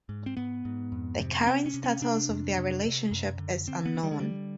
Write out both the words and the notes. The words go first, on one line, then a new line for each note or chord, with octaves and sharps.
The current status of their relationship is unknown.
G#2
C4
G#2 B3
G#2
F2
C3
B3
C3 C4
C#4
C3
C#4
C3 D4
F2
C3
C3
F#2
D3
D3 C4
B3
D3
G3
G#3
D3 G3